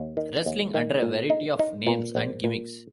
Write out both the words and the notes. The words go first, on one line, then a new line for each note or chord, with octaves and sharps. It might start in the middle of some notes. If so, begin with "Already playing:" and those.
Wrestling under a variety of names and gimmicks.
Already playing: D#2
D#3
D#2
D#3
A#2
D#4
D#4
A#2
A#1
A#2